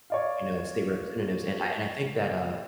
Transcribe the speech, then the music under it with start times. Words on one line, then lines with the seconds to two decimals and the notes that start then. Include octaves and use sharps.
you know, state representatives and I and I think that, uh,
0.10 C#5 D5 F5